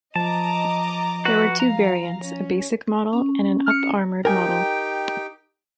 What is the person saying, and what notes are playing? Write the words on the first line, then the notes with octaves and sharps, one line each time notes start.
There were two variants; a basic model and an up-armored model.
F3 D#5 A5 A#5 D6
F#4 B4 F#5
F5 A#5
C#4
C#4
F6 C#7
D#4 G4 A#4 G5 G#5